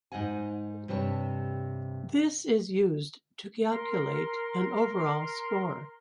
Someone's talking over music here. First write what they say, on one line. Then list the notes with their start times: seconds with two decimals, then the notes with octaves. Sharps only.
This is used to calculate an overall score.
0.12 G#2 D#4 D#5 F#5 G#5
0.88 G2 C3 G4 B4 C#5 A5
3.71 A#4 C6